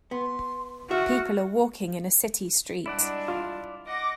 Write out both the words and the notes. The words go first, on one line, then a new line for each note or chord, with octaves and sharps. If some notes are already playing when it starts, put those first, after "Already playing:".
People are walking in a city street.
B3 C6
F#4 E5 F6
G3 G#3 D4 E4 D5 F#5
F4
D#5 F#5 D6 A#6